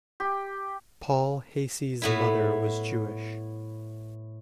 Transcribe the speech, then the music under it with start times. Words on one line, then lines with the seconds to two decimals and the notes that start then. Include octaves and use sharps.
Paul Heyse's mother was Jewish.
0.20 G4
2.02 A2 B3 E4